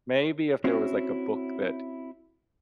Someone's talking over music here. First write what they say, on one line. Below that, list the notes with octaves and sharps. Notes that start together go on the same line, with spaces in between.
Maybe if there was, like, a book that
C4 C#4 E4 F#4